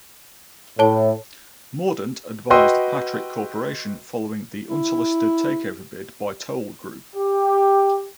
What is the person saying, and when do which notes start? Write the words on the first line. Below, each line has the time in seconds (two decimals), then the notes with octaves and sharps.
Mordant advised Patrick Corporation following the unsolicited takeover bid by Toll Group.
0.79 A2 C#5 A5 G7
2.50 F#4 B4 D#5 G5 C6 E6
4.69 E4
7.16 G4